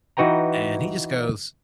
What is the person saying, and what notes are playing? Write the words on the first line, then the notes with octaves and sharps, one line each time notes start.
and he just goes,
E3 D#4 F#4 B4 G5 A#5